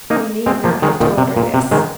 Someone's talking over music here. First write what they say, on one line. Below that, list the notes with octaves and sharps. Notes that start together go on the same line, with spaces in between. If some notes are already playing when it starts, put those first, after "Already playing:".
He need not have told her this.
A#3 D#4
G#3 C4
F3 A#3
D#3 G#3
A#2 D#3
C3
A#2
C3
D#3 G#3